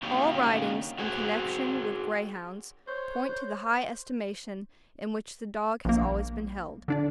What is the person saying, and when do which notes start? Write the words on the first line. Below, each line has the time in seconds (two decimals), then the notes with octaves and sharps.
All writings in connection with Greyhounds point to the high estimation in which the dog has always been held.
0.03 D3 A#3 C#4 D#4 F#4 G4
0.99 F#4 G#4 C5 F#5
2.88 C5 C#5
5.85 A#1 A#3
6.88 D3 D4 D5